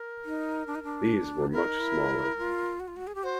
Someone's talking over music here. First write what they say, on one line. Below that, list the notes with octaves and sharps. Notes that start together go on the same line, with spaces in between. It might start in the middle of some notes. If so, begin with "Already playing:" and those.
These were much smaller.
Already playing: A#4
D#4
D4
D#4
D4
E4 A#4
D#4
E4
F4
F#4
F4
F#4
G#4
G4
F#4 C5